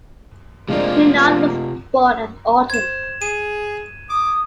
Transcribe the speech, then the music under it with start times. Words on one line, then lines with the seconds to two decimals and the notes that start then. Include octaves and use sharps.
Renault was born at Autun.
0.68 C3 F3 G#3 A#3 D4 F4
2.70 C5 G#6 E7
3.22 G#4 D#7
4.10 D6 D#6